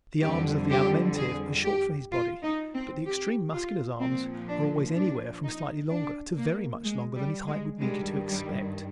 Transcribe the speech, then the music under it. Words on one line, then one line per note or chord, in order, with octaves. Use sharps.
The arms of the Alimentive are short for his body but the extreme Muscular's arms are always anywhere from slightly longer to very much longer than his height would lead you to expect.
F2 D3 G3 G4
G4
G#4
G4
F4
D#4
C4
G4
F4
A#2 F3 C4
D4
D4
D#4
D4
A#3
G#3
G3
G#3
G2 D#3 G3 G#3
G3